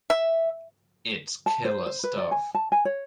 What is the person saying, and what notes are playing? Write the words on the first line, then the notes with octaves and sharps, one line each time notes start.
It's killer stuff.
E5
A5
C5
C5
B4
D5
G#5
A5
G#5
C#5